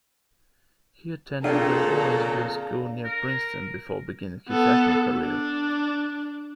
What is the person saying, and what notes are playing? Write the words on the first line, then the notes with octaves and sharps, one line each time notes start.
He attended The Lawrenceville School near Princeton before beginning his acting career.
F2 A#2 C#3 D4 A4 D5 F5 A#5
A#4
B3 A4
D4